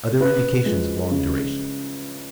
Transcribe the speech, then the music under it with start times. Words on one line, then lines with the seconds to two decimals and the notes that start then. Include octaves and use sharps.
Other indications of long duration.
0.20 C#3 B4
0.66 F3 G#3
1.11 C#3